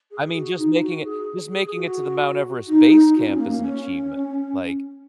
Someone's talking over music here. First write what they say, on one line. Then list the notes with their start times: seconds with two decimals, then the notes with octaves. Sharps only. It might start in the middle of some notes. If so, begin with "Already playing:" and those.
I mean, just making it, just making it to the Mount Everest base camp is an achievement, like,
0.11 G#4
0.35 F#4
0.58 D#4
0.82 F#4
1.04 G#4
1.51 G#4
1.75 F#4
2.68 D#4
3.15 F#4
3.27 C#4
3.38 A#3
3.49 A#3
3.61 C#4